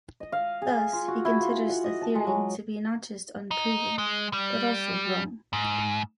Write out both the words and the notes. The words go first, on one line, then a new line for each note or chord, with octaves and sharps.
Thus, he considers the theory to be not just unproven but also wrong.
D#5
F5
G#4
F4
F#4
E4
F4
F#5
D#5
A5
G#3
F#3
D#4
G#3
G3
G#2